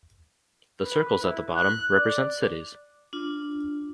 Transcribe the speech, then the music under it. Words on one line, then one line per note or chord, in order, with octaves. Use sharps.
The circles at the bottom represent cities.
B4
E4
F#6
D5
D4 F4